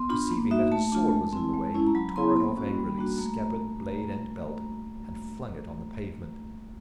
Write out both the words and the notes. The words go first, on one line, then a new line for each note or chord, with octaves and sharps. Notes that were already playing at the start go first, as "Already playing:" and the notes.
Perceiving that his sword was in the way, he tore it off angrily, scabbard, blade, and belt, and flung it on the pavement.
Already playing: B3 C6
D4 F4 B5
A#3
D#4 F#4 E5
A3 A5
D4 F4
G#3
C4 E4
G#3
C#4 E4
A#5
F#3 B5
B3 E4 C6
A#3 B5
C#4 F#4
G3
A#3 D4 F#4
A3 A#5